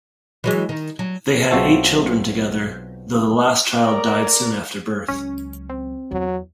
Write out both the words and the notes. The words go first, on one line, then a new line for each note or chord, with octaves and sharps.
They had eight children together, though the last child died soon after birth.
E3 F#3 G#3
D#3
F#3
B1 C4 F4 F#4 E5 A5
A#4 D5
C#2 F#3 C#4
C4
E2 F#3